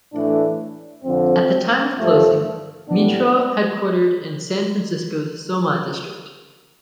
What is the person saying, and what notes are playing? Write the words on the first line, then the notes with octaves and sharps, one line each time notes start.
At the time of closing, Meetro headquartered in San Francisco's SoMa district.
A2 E3 A3 D4
F2 D3 F3 C4
G2 F3 A3
A2 G3 B3 D4